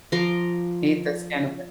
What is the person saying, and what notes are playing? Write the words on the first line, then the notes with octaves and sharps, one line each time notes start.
Eat the skin with
F3 A#5 C6 D6